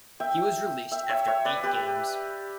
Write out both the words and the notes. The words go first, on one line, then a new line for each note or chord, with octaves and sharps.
He was released after eight games.
E5 G5
E5 G5
C#5 E5
C#5 E5
B4 D5
G4 B4